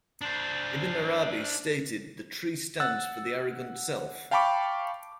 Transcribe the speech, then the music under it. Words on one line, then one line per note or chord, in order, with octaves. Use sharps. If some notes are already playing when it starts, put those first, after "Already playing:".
Ibn Arabi stated, the tree stands for the arrogant self.
D4 C5
F#5 E6 F#6 A6
F5 G5 A5 B5 C#6 D6